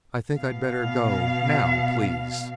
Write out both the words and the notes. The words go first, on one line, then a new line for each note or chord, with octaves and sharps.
"I think I'd better go, now, please."
B2 F5